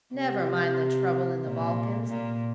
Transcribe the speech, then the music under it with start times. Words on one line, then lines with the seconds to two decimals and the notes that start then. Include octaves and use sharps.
'Never mind the trouble in the Balkans.
0.15 C3
1.45 A#2
2.09 A#2